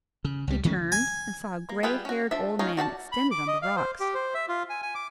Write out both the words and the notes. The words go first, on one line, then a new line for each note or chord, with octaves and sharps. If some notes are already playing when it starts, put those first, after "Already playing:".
He turned, and saw a gray-haired old man extended on the rocks.
C#3
C#2 G3
D#3 F3 A3 C#4
G#5
A#3
G3 F4 G#4 B4 G5
C#4 F#4
F3 D4 A4 E5
G#3 A3 C#4 D#4 F4
F#4 D5 G5 A5
B5
D6
D#5
F5
C5
G4
C5
E5
F4
G#5
G#5
D6